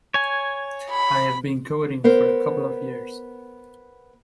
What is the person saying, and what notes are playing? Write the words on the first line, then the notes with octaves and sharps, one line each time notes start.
I have been coding for a couple of years.
C#5 G#5
B5
B3 A#4 C5